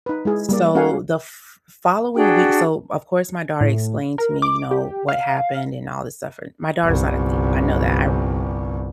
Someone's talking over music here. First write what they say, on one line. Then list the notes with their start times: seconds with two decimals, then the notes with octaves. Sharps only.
So, the f following week so, of course, my daughter explained to me, you know, what happened and all this stuff. My daughter's not a thief, I know that. I
0.06 D#4 B4
0.25 G#3 E4 G#4
0.49 G3 A#3 D5
0.75 C#4 F#4 A4 F5 F#5 G#5
2.15 D4 F#4 G#4 G5
3.61 A2
4.18 A#4
4.42 D6
4.71 G4
5.09 F5
6.83 G1 C2